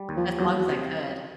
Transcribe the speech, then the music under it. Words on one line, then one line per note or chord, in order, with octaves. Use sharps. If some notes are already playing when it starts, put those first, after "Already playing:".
as long as I could.
Already playing: G3
D#2
F3
E2 F#3
C3